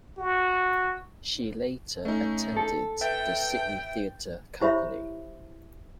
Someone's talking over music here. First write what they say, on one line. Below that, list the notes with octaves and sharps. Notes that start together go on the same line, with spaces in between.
She later attended the Sydney Theatre Company.
F#4
A3 C#4 D#4
A4
B4 E5 G5 A6
E4 G4 C5 C#5 E5 B5